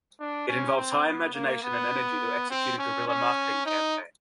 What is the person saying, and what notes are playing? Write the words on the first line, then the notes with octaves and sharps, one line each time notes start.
It involves high imagination and energy to execute a guerrilla marketing campaign.
D4
C#4
C4
B3
A#3
B3
C4
C#4
C#4
D#4